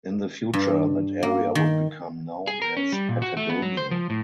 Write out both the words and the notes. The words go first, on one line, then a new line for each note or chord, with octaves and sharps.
In the future that area would become known as Patagonia.
G2
A#3
D#3
G#4
A#4
C#4
G3
A#2
F#4
A3
B3
F#3
C5
F3
A2